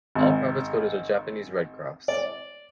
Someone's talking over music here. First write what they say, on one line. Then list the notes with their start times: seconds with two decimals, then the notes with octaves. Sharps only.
All profits go to the Japanese Red Cross.
0.15 G#1
2.08 D5